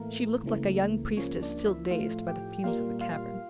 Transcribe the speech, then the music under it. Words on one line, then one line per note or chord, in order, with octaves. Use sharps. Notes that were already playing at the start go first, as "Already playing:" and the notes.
She looked like a young priestess still dazed by the fumes of the cavern.
Already playing: A2 E3 A3 A#3 A#4
C#2 C#3 E3 A3
C#2 C#3 F3 A#3 C#4 C#5
D4 D5
E4 E5
A2 F3 A3 F4 F5
G4 G5
A#2 G3 A#3 F4 F5
F4 F5